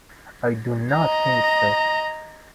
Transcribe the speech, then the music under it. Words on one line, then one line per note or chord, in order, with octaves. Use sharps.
I do not think so.
D#5 A#5